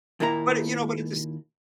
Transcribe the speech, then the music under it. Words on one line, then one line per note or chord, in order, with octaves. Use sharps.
But, eh, you know but, at the s
D#2 A#2 A#3 E4 F4 A#5